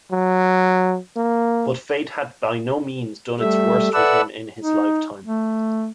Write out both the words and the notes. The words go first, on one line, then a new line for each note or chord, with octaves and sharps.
But fate had by no means done its worst with him in his lifetime.
F#3
A#3
G3 A3 E5
A4 B4 D5 E5 F#5 E6
D#4
A3